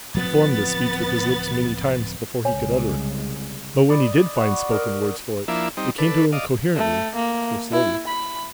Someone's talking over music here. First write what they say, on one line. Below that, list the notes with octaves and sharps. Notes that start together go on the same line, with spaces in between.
He formed this speech with his lips many times before he could utter it. But when he did find spoken words for it, they came to him coherently, though slowly.
D1 F3 B3 C4 A6
C2 C#3 G#3 C#5 G#5
D5 D#5 B5
F#4
A#4 D#5
F3 A#3 D4 E4 E5
G3 C4 D#4
D4 A4 B4
D5 D#5 F5
A3
A#3
E4
B5